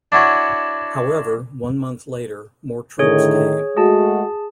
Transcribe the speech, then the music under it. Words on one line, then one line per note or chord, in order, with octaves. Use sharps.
However, one month later, more troops came.
D4 E4 F#4 C#5
A2 D3 D#3 G#4 C#5
G#3 A3 F#4 G#4 A5